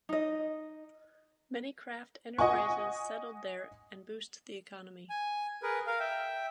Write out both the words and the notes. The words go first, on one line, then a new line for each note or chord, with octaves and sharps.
Many craft enterprises settled there and boost the economy.
D#4 D#5
D#5 F#5 G#5 C#6
G#5
G#4 A#4 B4
A#4 F5
E5 G5